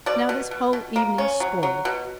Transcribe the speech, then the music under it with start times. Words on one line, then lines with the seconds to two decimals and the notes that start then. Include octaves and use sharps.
Now this whole evening's spoiled.
0.06 B2 D5
0.29 B2
0.51 B2
0.73 B2
0.96 A#3
1.18 C#4
1.40 F#3
1.63 F#3
1.85 B2